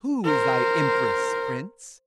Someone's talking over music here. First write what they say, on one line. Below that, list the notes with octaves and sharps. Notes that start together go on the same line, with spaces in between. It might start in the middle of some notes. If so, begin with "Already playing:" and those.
Who is thy Empress, Prince?
A#4 C5